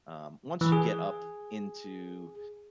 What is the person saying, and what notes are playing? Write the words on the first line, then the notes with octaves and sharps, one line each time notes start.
Um, once you get up into
E3
G#4